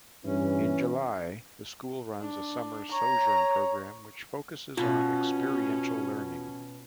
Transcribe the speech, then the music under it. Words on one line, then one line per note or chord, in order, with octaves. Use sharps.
In July, the school runs a Summer Sojourn program which focuses on experiential learning.
G2 E3 C#4
D4
C#5 A#5
B2 C#4 F4